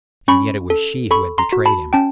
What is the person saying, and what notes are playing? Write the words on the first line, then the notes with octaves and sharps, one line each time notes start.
And yet it was she who had betrayed him.
C#4 B5 C#6
A4
A4 B5 C#6
A#5 C6
F#4
A5 B5
C#4 G5 A5